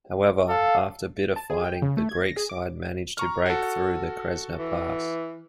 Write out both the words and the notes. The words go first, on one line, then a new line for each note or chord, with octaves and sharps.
However, after bitter fighting the Greek side managed to break through the Kresna pass.
A4 F5
A5
G#4
G5
C#3
A3
G#6
A#6
G#4
D6
A#5 C#6 F6
F#4 A4
E3